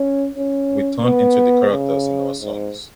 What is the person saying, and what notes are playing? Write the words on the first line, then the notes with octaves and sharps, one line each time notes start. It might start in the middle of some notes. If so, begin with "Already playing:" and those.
We turned into the characters in our songs.
Already playing: C#4
C#4
B3
C#3
G#2